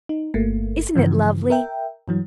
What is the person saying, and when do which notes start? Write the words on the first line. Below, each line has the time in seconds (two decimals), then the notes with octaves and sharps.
Isn't it lovely?
0.09 D#4
0.34 G1 A3 A#3
0.96 G2 C#3 E3 F3
1.50 A#4 E5 G5
2.08 G2 E3 F#3